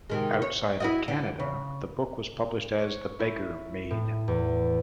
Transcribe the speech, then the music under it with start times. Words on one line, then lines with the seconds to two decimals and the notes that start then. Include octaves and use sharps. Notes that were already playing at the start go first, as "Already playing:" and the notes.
Outside of Canada, the book was published as "The Beggar Maid".
0.10 C3 D#3 G#3
0.42 C#5
0.80 E4 F#4 D#5
1.08 D3
1.40 C#3
2.78 C#5
3.19 E4
3.91 A2
4.28 E2